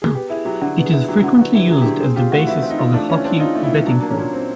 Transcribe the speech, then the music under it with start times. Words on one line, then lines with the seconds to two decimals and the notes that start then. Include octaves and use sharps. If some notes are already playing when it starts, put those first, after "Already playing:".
It is frequently used as the basis of a hockey betting pool.
0.02 G#4
0.15 B3 G4
0.30 E4 G#4
0.45 F#3 G4
0.61 D3 F#4
0.77 B3
0.85 G#4
0.92 E4
1.08 F#3 G4
1.23 D3 F#4
1.39 B3 F#4
1.54 E4 G4
1.68 F#3 G#4
1.81 D3 G4
2.00 C4 G#4
2.16 F4 G4
2.32 A3 F#4
2.47 E3 E4
2.62 C4
2.70 D#4
2.78 F4
2.94 A3 D4
3.09 E3 C#4
3.25 C4 D4
3.40 D#4 F4
3.55 A3
3.63 E4
3.71 E3
3.86 F#3 D4
4.00 A#3 D4
4.11 C#4
4.17 A#2
4.33 C4